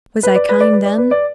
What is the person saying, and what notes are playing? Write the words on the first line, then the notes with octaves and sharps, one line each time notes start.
Was I kind then?
B4
D5
B4
D5
B4
D5
B4
D5